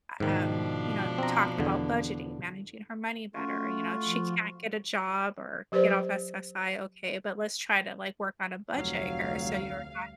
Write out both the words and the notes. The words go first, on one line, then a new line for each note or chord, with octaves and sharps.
U um, you know, talking about budgeting, managing her money better, uh, you know, if she can't get a job or get off SSI. Okay. But let's try to, like, work on a budget here. So you're not
G#2 B2 D#3 F3 D4
C4 A#5
E2 D3
A3 C#4 F4 F#4
F3
F#3 G4 B4 C5 D5
F1 D2 F#3 G3 F5